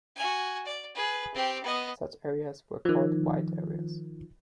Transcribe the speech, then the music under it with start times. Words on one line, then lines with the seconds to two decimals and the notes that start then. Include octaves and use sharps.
Such areas were called 'white areas'.
0.16 F#4 G#5
0.66 D5
0.95 G#4 B4
1.34 C4 G4
1.64 B3 D#5
2.85 D#3 F3